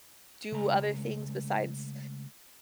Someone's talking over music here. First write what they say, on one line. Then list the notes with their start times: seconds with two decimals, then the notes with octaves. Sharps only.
do other things besides
0.52 C#3 G#3 A3 A#5